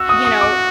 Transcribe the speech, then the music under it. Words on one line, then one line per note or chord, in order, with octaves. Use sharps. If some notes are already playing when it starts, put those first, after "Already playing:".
you know,
Already playing: F#4 E6
D#6
D#6
D6